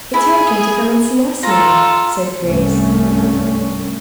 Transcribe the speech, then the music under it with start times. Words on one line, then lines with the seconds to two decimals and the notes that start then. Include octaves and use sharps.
"It's your turn to come and see us now," said Grace.
0.14 E4 G#4
1.43 F4 A4 A#5
2.43 C2 G2 A3 C#4